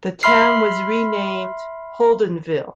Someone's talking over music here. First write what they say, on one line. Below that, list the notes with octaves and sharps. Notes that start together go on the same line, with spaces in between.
The town was renamed Holdenville.
E5 B5 C6 F6 C7